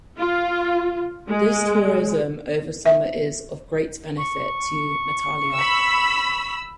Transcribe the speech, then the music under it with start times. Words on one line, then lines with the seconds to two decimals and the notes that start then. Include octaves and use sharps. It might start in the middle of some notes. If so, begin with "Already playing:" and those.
This tourism over summer is of great benefit to Nathalia.
0.18 F4
1.29 G#3
2.86 E5
4.17 C#6
5.55 B5 E6